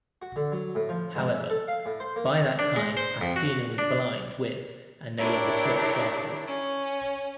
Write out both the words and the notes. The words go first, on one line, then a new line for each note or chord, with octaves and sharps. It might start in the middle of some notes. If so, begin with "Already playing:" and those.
However, by that time Pastinha was blind with and no longer taught classes.
F#4
D3
F#3
A2
F3
G#2
E5
A4
F5
A2
C5
A#3
D4
G#3
C5
F2
F#4
D4
D4 E4 G4 A#4 C#5
C#4